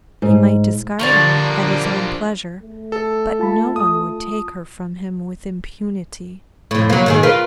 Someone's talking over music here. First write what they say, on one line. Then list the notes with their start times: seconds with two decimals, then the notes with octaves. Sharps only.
He might discard her at his own pleasure, but no one would take her from him with impunity.
0.22 G#2
0.99 D3 F3 G3 A#3 D4 D5 A#5 C#6
2.62 A3
2.92 A4
3.39 F4 A5 B5
3.76 D#6
6.71 F2 A2
6.90 F#3 A#3
7.06 G#2 D#3 G#4
7.23 F4 A#4 B4